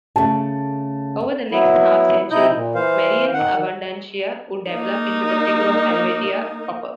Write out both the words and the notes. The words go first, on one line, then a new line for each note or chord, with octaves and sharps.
Over the next half-century, Merian's "Abundantia" would develop into the figure of "Helvetia" proper.
C#3 A3 A5
F#3 B3 E4
C3 D#4 E4 D#5 G6
A#2
E3 C5 F5
D#3 F#5
A#3 D#4